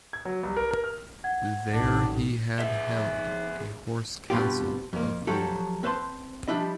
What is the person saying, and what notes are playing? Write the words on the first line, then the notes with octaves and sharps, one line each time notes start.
There he had held a hoarse council of war.
G#6
F#3
C2
A#4
A#4
F6
F#5 G#6
A1 D#3 D4
G#4 E5
G2 B2 C4 F4 G4
F2 A#3
F3 F#3 G4 A4
C4 B4 C5 A5 C6
F3 G3 D4 E4 D#5